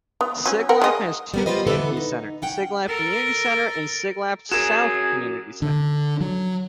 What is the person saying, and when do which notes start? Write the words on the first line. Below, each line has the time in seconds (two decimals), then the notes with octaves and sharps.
Siglap has two community centres, Siglap Community Centre and Siglap South Community Centre.
0.21 B3
0.46 F#3 C#4
0.69 A#4 F#5 G5
0.82 G#3 D#5
1.34 G3 B3 A#4
1.46 B3 F4 G4 B4 C5 D#5
1.67 D3 E3 A3 B3 A4 B4
1.97 D#4
2.42 C#4 F#5 G5
2.88 A4 A#4
4.51 F#4 G#4 A#4 E7
5.62 D3
6.21 F#3